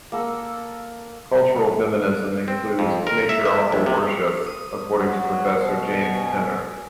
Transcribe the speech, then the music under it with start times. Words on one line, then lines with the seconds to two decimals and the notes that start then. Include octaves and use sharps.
Cultural feminism includes "matriarchal worship", according to Professor James Penner.
0.12 A#3 A4 D#6 E6
2.48 C4
2.79 F2
3.07 A#4
3.29 E5
3.45 E5
3.72 A#1
3.86 C3
4.47 D#6
4.96 F#3
5.61 B2 C5
6.01 G#5